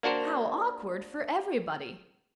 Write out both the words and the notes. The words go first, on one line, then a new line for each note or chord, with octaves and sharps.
How awkward for everybody!
A#3 D4 F#4 A#4 C5